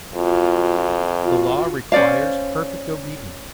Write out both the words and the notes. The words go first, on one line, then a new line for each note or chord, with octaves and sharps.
The Law requires perfect obedience.
F2 F4 F#4
F4 F#4
C#4 C5 D5 F5